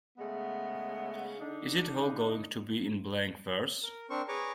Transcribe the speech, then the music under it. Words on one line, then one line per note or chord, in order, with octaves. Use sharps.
Is it all going to be in blank verse?
C#3 G#3 A3 B3
D3 D4 D#4
A#4
C4 D4 A#4 C5 C#6
G#4 B4 C#5 A#5 C#6 D6